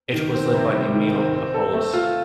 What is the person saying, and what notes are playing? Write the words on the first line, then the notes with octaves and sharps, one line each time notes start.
It was led by Emil Appolus.
D#3
C4
C3
G3
D#3
C4
C4
A4
A3
F4